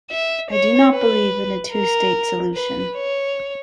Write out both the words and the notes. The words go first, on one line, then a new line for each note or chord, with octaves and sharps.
I do not believe in a two-state solution.
E5
C#5
B4
A#4
B4
C#5